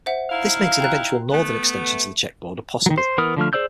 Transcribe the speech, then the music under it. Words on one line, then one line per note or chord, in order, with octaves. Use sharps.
This makes an eventual northern extension to the Czech border possible.
C5 E5 F#5
D#4 E4 F5
G5 A#5 F#6
A3 B3
D#3 F#3
C5
E3 B3 A#4 D#6 F6
D3 F3 A3 F6
G#4 C5 D5 E6 G6